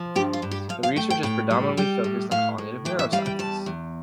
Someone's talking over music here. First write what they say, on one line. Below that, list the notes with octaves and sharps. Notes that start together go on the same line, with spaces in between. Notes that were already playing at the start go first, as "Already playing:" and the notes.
The research is predominantly focused on cognitive Neuroscience.
Already playing: F3
G2 G4
F4
G2
G4
F3 F5
F5
A3 G5
G5
A2 G5
G3
G3 G5
A2
A2 F5
A2
E3 G5
E5
G3 F5
G5
E2 A5
E2